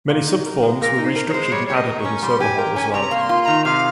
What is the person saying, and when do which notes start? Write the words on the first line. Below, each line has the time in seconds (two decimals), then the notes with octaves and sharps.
Many sub-forums were restructured and added in this overhaul as well.
0.09 A#2
0.28 D#4
0.46 A#4
0.62 G#3
0.81 A#2 A#4
0.98 D#4
1.05 C5
1.16 A#4
1.28 C#5
1.32 G#3 C5
1.52 G3 C#5
1.68 G4 C#5
1.75 D#5
1.87 A#4
1.99 C#6
2.05 C#4
2.22 G3 C6
2.40 G4 G#5
2.58 A#4 G5
2.75 C#4 G#5
2.93 C3 A#5
3.11 A#3
3.17 C#6
3.21 C6
3.29 F4
3.41 C6
3.45 D#3 A#5
3.65 C3 F5